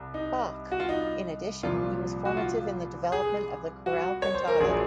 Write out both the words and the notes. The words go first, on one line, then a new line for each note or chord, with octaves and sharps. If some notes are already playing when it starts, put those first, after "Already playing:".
Bach; in addition he was formative in the development of the chorale cantata.
Already playing: C2
D#4
F#4
F4
D#4
C2 A#2 F3 F4
F#4
F4
G#4
F#4
C#5
C5
A#4
A#1 A#2 F#3 G#4